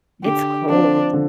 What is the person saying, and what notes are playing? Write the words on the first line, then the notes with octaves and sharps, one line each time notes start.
It's cold.
D3 G4
F3 C4 D4
D3